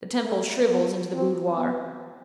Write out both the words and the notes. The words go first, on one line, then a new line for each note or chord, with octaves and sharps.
The temple shrivels into the boudoir.
A3
B3
C4
B3